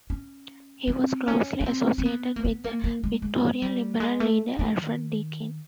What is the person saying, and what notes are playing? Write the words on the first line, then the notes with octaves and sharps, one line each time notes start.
He was closely associated with the Victorian liberal leader Alfred Deakin.
C#4
C4
C#4
C#4
C4
C4
B3
A#3
B3
A#3
A#3
G#3
G#3
G3
G#3
A3
A3
D#3